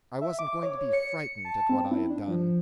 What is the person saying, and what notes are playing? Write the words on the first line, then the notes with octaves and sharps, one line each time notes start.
I wasn't going to be frightened at what I had done.
E5
D6
C#5
C#7
A5
C4
E4
D4
F3